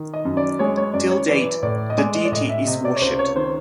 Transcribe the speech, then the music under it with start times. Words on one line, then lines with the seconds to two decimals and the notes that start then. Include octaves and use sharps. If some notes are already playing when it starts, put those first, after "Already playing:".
Till date the deity is worshipped.
Already playing: D#3
0.14 D#5
0.25 F#2
0.37 D5
0.59 G#3 C#5
0.77 C#5
0.94 F#2 D5
1.11 C#5
1.29 E3 D5
1.63 A2 D5
1.90 D#5
1.98 G#3 D5
2.15 D#5
2.25 D5
2.32 A2 D#5
2.49 E5
2.66 C3 D#5
2.85 D5
2.96 C#5
3.01 C#2 C5
3.19 C#5
3.36 D#3 C5